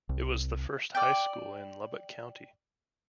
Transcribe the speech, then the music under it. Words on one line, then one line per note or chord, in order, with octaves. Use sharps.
It was the first high school in Lubbock County.
C2
D5 G5